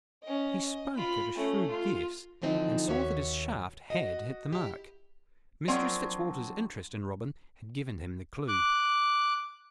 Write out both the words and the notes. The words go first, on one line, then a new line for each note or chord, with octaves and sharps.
He spoke at a shrewd guess, and saw that his shaft had hit the mark. Mistress Fitzwalter's interest in Robin had given him the clue.
C#4 D#5
D#5
F4 B5
A3 C#4
F4
D3 E3 F3 C4 D#4
D#2 C#4 F#4 C#5 E5
F#4 D#5
E4 G4
F3 F#3 A#3 C4 D4
D6 F#6